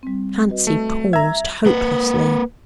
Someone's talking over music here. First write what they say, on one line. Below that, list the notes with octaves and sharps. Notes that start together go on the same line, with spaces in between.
Fancy paused hopelessly.
G3 C4
F#4 B4 D#5
A3
E5 A#5 G#6
A#3 B4